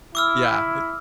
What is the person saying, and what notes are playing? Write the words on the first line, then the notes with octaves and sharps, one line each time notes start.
Yeah, it's
E4 D6 E6 F6